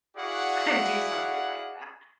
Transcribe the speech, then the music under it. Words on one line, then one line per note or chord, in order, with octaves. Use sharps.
and do something like that.
E4 F#4 G#4 D5 F5 F#5